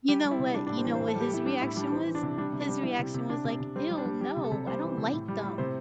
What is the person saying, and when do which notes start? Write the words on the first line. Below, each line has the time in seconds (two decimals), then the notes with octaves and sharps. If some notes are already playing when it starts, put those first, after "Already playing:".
you know what you know what his reaction was? His reaction was like, "Ew, no, I don't like them."
0.08 G3 G4
0.24 G3
0.31 E4
0.39 C3
0.54 G3 D4
0.67 A2 D4
0.77 C4
0.85 E3
0.95 A2 C5
1.08 A4
1.15 G3
1.20 G4
1.31 G3 E4
1.45 G3 D4
1.61 A2 E4
1.76 G3 D4
1.91 E3 C4
2.07 E3
2.15 D4
2.23 C3
2.38 G3 D4
2.53 C3
2.60 D4
2.68 G3
2.83 G3 E4
2.99 C3
3.14 C3
3.29 C3 D4
3.44 C3
3.60 C3
3.76 G3 C4
3.91 G3
3.98 D4
4.05 G3
4.21 G3 G4
4.37 C3
4.44 A4
4.51 C3
4.67 G3 C5
4.83 E3
4.97 C3
5.13 A2
5.28 G3
5.43 A2
5.58 C3 C5